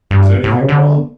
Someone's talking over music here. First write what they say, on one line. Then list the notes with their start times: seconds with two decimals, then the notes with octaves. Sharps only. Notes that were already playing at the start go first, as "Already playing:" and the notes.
"Is anything wrong?"
0.11 G2
0.44 A2
0.52 B2
0.61 C#3
0.69 D3